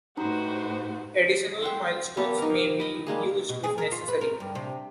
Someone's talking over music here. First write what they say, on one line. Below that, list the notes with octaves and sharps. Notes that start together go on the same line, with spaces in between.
Additional milestones may be used if necessary.
A2 D#4 F#4 G4 B4 C5
C5 F#5 G5
A#3 B3 G4 A4
D#4 A#4
D#5 B5
G3 G#3 A#3 G#4
B2
G#4
A#4
F4
B4
A#4
G2
C3